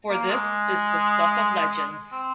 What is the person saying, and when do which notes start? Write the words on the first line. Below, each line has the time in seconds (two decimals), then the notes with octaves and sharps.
For this is the stuff of legends.
0.09 A#3
0.30 G#3
2.12 C4